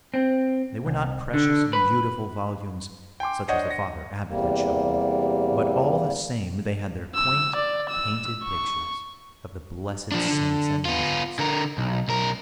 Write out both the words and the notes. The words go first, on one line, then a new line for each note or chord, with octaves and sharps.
They were not precious and beautiful volumes, such as the Father Abbot had showed him, but all the same they had their quaint painted pictures of the blessed saints and angels.
C4
C2
D3
B4
G5 G#5 C6 D6
D4 C5 C#5 D#5 F#5
A#6 C#7
E2 C3 G3 A#3
E6
D5
E6
C#6
F3 D4
D3
B3 F4
D3 A#4
B1
B1 A#4